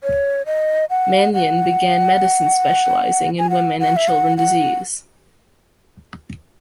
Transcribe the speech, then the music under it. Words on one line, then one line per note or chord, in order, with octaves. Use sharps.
Manion began medicine specializing in women and children disease.
C#5
D#5
F#5
F#5
G#5
F#5
F#5
E5
F#5
F#5